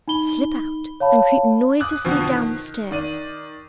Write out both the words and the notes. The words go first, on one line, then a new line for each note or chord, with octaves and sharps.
Slip out and creep noiselessly down the stairs.
D#4 B5 G7
C#5 F5 A5 B5
D6 D#6 F#6
F2 B2 D3 F3
D#3
D#3 D5 D#7